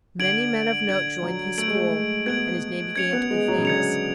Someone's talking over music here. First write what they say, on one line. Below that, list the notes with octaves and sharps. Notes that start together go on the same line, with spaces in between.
Many men of note joined his school, and his name began to be famous.
D3 G#6 D7 F#7
D3 G#6 D7 F#7
F#3
A3 G#6 D7 F#7
G#3
A3
B3 G#6 D7 F#7
C#4 G#6 C#7 F7
B3
G#3
F#3
C#3
D3 G#6 C#7 F7